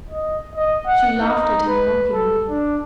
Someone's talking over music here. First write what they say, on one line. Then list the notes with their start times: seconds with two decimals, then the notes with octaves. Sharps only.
She laughed at him mockingly.
0.11 D#5
0.55 D#5
0.87 F#5
1.21 D#4
1.68 B4
2.13 A4
2.49 D4